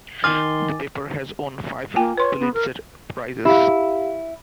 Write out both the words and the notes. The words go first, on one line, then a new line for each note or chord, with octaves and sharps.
The paper has won five Pulitzer Prizes.
D#3 G#5 C6 D6 F6 A6
A#3 F4 G5 G#5
B4 C#5 C6
B3
A#4
E4 G4 F5